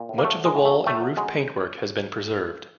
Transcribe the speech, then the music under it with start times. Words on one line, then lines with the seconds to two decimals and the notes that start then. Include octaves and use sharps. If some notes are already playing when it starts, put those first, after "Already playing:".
Much of the wall and roof paintwork has been preserved.
Already playing: A#2
0.09 A2
0.18 A#3
0.24 F#3 A3
0.40 F#3
0.45 G#3
0.55 A2
0.65 A3
0.70 F#3
0.86 A2 A3
1.01 F#3
1.17 F#3 G#3